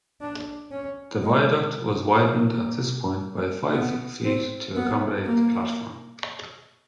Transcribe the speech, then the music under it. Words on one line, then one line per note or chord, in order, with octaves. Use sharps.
The viaduct was widened at this point by five feet to accommodate the platform.
D4
C#4
G#3
A#3
B3
C4
B3
A#3